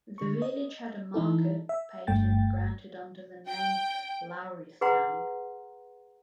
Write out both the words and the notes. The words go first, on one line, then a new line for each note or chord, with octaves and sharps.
The village had a market patent granted under the name "Lowrystown".
D3 C#6
D#5
E3 D#4 E4 A4
E5
G1 G2 A3 G5 A6
G5
G#4 B4 F#5 A#5 C6